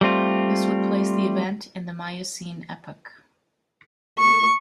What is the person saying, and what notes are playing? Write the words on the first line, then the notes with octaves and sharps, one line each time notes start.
This would place the event in the Miocene epoch.
G3 A3 C4 F4
C#6